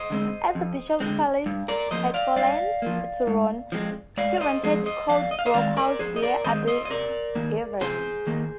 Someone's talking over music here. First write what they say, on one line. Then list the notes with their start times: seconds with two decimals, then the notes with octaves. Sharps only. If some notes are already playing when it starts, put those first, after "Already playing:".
As the bishop's palace had fallen to ruin, he rented Coldbrook House bear Abergavenny.
Already playing: C5 D#5
0.10 D3 G#3 C4
0.55 F2
1.00 D3 G#3 C4
1.46 G2
1.68 A#4 D5
1.91 F3 A#3 C5 D#5
2.14 D5 F5
2.36 G2 D5 F5
2.82 F3 A#3
3.27 G#2
3.72 F3 G#3 C4
4.17 G#2 D5 F5
4.37 F5
4.41 C5 D#5
4.63 F3 G#3 C4 G#4 C5
4.86 C5 D#5
5.08 F2 D5 F5
5.31 D#5
5.39 F5
5.46 C5 D#5
5.54 D#3 G#3 C4 D5 F5
5.77 A#4 D5
5.99 F2 G#4 C5
6.16 D#5
6.22 A#4 D5
6.44 D#3 G#3 C4 C5 D#5
6.68 C5 D#5
6.85 D#5
6.90 C3 A#4 D5
7.35 D#3 A#3
7.81 C3 G#4 C5
8.27 D#3 A#3